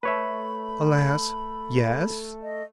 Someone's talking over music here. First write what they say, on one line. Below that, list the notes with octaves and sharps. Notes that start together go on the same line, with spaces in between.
"Alas, yes."
A3 B4 C#5 E5 B5
D#5